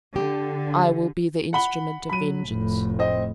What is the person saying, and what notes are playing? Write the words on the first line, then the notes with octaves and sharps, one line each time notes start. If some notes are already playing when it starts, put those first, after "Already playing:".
"I will be the instrument of vengeance."
D3 G4
F#5 B5 G7
F#3 B5 D#7
F1 A2
C4 D#5